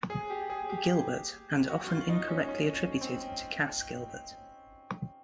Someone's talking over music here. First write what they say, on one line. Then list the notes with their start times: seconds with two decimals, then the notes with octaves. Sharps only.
Gilbert, and often incorrectly attributed to Cass Gilbert.
0.10 G#4
0.30 G4
0.50 G#4
0.69 G4
1.69 F#4
1.83 F#4
1.89 F4
2.09 D#4
2.28 C#4
2.49 C#4
2.75 C#4
3.01 C4